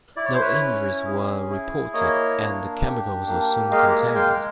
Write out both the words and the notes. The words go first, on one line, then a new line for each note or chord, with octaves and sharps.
No injuries were reported, and the chemicals were soon contained.
E4 D5
C#5
C5
B4 C#5
C#4
G#4
E4
A#3 C#5 D#5
D4
G4
A#3
G#3 D#5 F5
G#5
G#3 F5 G5